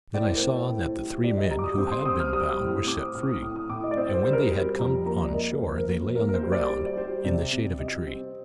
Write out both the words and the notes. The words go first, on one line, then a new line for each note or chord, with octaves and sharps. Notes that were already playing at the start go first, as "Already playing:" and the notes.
Then I saw that the three men who had been bound were set free; and when they had come on shore they lay on the ground, in the shade of a tree.
A2 D5
C5
A#4
C4 C5
A2
G3
G3 D5
D#5
G3 A#5
D6
D#6
C4 D#6
C6
C4 D#6
F6
G3 D#6
D#6
A2
D#6
C4 D6
D#6
A2 F6
D6
D#6
A2 D#6
D#6
A2 D6
D#5
D5
C4 C5
C5
G3 C5
A#4
G3 C5
F2 A#5
A#3 A#5
D5
A#3 D#5
A#4
F2 C5
A#4
A#3 C5
A#3 A#4
A#4
C5
G3
D5
G3 C5
D5
G3 C5
C3 D5
C3
G3 D#5
C4